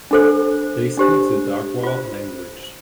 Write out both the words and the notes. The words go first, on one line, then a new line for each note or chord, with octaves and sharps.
They speak the Dargwa language.
D4 A4 C5
D4 G4 C5
F4 C5